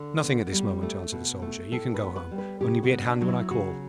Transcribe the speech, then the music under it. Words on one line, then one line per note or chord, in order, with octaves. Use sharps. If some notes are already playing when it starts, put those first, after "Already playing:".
'Nothing at this moment,' answered the Soldier. 'You can go home; only be at hand when I call.'
Already playing: D3
B3
G3
A3
B2
A3
A2 A4
B4
B3
B4
G3
B4
C#3 G4
F#4
B3
D4
F#3
E4
C#3 F#4